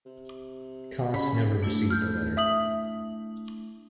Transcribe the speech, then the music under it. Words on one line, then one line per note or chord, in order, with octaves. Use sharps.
Kaas never received the letter.
C3
C#3 C#4 B5
A3 D4 E4
F6 G6
E5 D#6 F#7